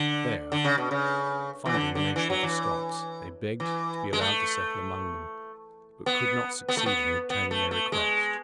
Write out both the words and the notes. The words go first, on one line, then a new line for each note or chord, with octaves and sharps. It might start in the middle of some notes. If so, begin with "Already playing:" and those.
There, finding the nation of the Scots, they begged to be allowed to settle among them, but could not succeed in obtaining their request.
Already playing: D3
D3
C#3
B2
C#3
E3
D3
D3
E3
F#3
E3
E3
G#3
A3
B3
B3
A3
B3
B3
A3
A3
G#3